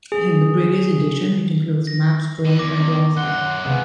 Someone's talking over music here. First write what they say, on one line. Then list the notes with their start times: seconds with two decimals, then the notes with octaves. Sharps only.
Like the previous edition, it includes maps drawn by the author.
0.12 G#4
1.87 A#6
2.45 D3 B4
2.59 E2 D6 A#6
3.17 F#2 F#5 C6
3.65 C#2 C3 D#3 G#3 B3